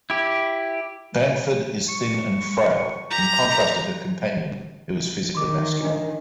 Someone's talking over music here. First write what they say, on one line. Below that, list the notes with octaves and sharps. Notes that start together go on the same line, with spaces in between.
Banford is thin and frail, in contrast to her companion who is physically masculine.
E4 G4
C#6
G4 A#5
D#3 C6 D6
D4 D#5